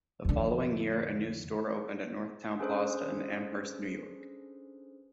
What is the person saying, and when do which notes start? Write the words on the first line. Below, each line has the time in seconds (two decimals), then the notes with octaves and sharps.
The following year a new store opened at Northtown Plaza in Amherst, New York.
0.25 F2 D3
2.59 C#4 D4 G#4 A4 B4 C5